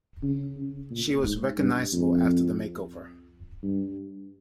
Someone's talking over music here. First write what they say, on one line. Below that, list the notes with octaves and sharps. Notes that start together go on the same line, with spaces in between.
She was recognizable after the makeover.
C#3
C#3
A#2
G#2
G2
F2
G2